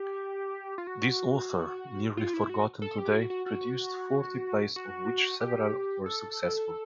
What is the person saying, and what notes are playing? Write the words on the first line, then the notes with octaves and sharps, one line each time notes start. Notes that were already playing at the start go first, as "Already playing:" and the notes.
This author, nearly forgotten today, produced forty plays of which several were successful.
Already playing: G4
F4
F#4
F4
E4
F#4
A4
G4
F#4
F#4
F#4
F#4
G4
A4